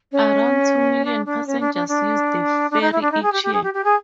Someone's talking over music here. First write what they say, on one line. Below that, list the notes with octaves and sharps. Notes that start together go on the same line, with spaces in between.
Around two million passengers use the ferry each year.
C#4
D4
D4
C#4
D4
D4
D4
D4
D#4
E4
D4
D#4
G#4
G4
G4
G#4
G4
G4
G#4